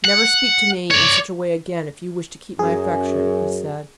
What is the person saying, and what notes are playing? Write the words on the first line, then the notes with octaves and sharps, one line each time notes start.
"Never speak to me in such a way again if you wish to keep my affection," he said.
F#5
C#5 D5
F#2 G#4